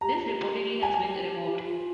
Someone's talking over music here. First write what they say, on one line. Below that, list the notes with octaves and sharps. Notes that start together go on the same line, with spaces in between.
This reportedly has been removed.
G4 A#5
F4
G4
G#5
F4